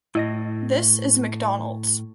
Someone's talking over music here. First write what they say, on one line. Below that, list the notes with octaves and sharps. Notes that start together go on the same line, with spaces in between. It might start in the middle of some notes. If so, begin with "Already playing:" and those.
This is Mcdonald's.
A2 E4 D#5 A#6